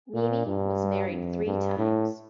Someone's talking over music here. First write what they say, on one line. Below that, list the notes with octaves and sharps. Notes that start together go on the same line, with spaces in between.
Mimi was married three times.
A#2
G2
F2
G2
A2